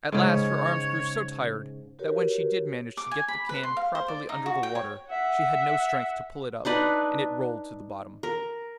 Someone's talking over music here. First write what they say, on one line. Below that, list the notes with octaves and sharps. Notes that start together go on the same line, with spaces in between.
At last her arms grew so tired that when she did manage to get the can properly under the water she had no strength to pull it up, and it rolled to the bottom.
G#2 C#3 C#5
F#4 G4 A#4 B4 C#5
D6
G#5
B5
B4
C6
F5
C5
D5
D#4
F#4
G5
C#5
E5 F#5
D4 D#4 B4 D5
A#4